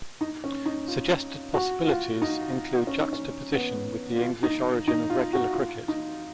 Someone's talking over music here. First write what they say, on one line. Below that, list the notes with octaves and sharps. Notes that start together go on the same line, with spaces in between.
Suggested possibilities include juxtaposition with the English origin of regular cricket.
D#4
C#4
D#4
F4
F#4
F4
D#4
C#4
D#4
C#4
B3
F4
D#4
D#4
F4
F#4
F4
D#4